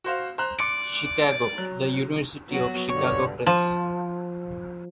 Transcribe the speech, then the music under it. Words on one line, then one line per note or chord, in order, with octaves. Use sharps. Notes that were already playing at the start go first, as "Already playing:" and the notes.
Chicago: The University of Chicago Press.
F#4 C5 F5
C5 A#5 F#6
D5 C6 D6 C#7
F#3
F#3 B3 F#4
G2 D3 C#5
F3